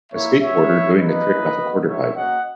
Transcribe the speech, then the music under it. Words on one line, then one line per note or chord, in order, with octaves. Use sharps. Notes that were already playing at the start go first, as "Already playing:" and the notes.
A skateboarder doing a trick off a quarter pipe.
A#3 E4 C#5 E5
G#3 B3 F#4 C#5 E5
B3 E4
A#3 E4 B4 D#5
A#3 C#4 E4
B3 F#4
G#3 D#4 F#4 C#5 E5
A#3 C#4 F#4 D#5 F#5